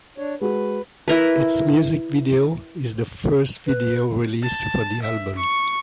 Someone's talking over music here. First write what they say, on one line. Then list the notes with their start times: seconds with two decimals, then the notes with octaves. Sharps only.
Its music video is the first video released for the album.
0.18 D4 C#5
0.41 G#3 F#4 B4
1.08 E4 A#4 B4
3.67 B4
4.43 A5
5.03 E5
5.36 C#6